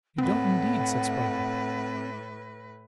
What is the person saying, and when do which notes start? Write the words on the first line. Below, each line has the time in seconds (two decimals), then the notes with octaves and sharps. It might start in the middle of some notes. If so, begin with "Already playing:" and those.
"You don't, indeed!" said Spargo.
0.18 A2 C4 B4 F#5